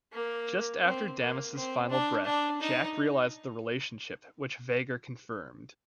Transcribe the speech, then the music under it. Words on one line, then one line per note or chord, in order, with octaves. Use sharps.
Just after Damas' final breath, Jak realized the relationship, which Veger confirmed.
A#3
C4
A#3
C4
D4
D4
D#4